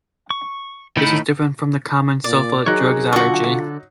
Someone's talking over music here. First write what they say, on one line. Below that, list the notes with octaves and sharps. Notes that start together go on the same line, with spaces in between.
This is different from the common sulfa drugs allergy.
C#6
A2 D#3 D#4 B5
A#2 D5
F#3 D#4 G#4 A#4 C#5 F#6
D3 F4 F#4 A4 C#6